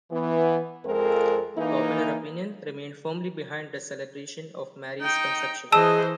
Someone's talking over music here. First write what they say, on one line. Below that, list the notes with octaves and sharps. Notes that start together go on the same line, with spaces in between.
Popular opinion remained firmly behind the celebration of Mary's conception.
E3 B3
F2 F3 G#3 C4 A4 A#4
E3 A#3 D#4
D#4 G5
E3 G#4 C5 D#5 A5 E6 E7